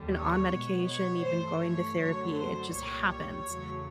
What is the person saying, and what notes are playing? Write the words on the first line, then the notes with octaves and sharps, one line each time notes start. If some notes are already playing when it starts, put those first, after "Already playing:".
on medication, even going to therapy, it just happens,
Already playing: D#2 D3 G3
C#5
B2 G#3 B3
C#5
G2 E3 A3 C5
C#5
F#2 D3 F#3 A3 C#5
C5
C2 A#2 G3 C#5
C#5
E2 C#3 F#3 A3